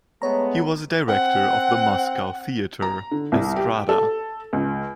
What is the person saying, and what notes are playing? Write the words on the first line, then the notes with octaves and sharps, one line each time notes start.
He was a director of the Moscow theatre "Estrada".
G#3 A3 B3 C#5 A#5
C4 F#5
A#5
D3
C2
G4
A4
C#2